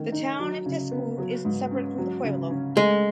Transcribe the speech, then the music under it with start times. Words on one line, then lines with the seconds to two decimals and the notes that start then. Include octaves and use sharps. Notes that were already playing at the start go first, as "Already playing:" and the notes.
The town of Tesuque is separate from the pueblo.
Already playing: D#3 A3 C#4
0.12 D#4
0.39 F#3
0.66 C#3
0.92 B3
1.18 F#3
1.45 G#2
1.71 C#4
1.98 F#3
2.24 C#3
2.50 C#4
2.76 G#3 A3